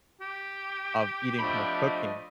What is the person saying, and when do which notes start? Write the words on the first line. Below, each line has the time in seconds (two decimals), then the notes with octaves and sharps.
of eating her cooking.
0.21 G4
1.40 F3 A3 D4 D#5 B5